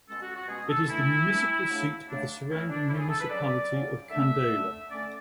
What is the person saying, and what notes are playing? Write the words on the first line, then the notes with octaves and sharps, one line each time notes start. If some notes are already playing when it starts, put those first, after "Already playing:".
It is the municipal seat of the surrounding municipality of Candela.
B2 G#3 C#4 A4
F#4
F#4
B2 G#3 C#4 G#4
A4
E3 A3 D4 E4
E3 A3 D4
C#3 F#3 A3 D4
C#3 F#3 A3 D4
A2 E3 A3 C#4 E4
D4
A2 E3 A3 C#4 E4
G#4
A4
B4
C#3 F#3 C#4 D5
C#3 F#3 C#4
D3 A3 D4 E5
D3 A3 D4
D3 A3 C#4 D5